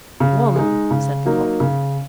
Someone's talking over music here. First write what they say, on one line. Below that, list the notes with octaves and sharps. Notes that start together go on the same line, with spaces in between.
"One!" said the clock.
C#3
G#3 D#4
C#3
F#3 A#3 D#4
C#3